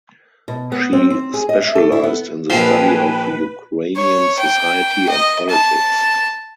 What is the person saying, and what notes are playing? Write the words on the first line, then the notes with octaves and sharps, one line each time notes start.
She specialized in the study of Ukrainian society and politics.
B2
B3
C4
C4
G#4
D#5
E5
A4
E4
B3
A#1 F3 B4 G5 G#5
C#5
G5
D#5
A5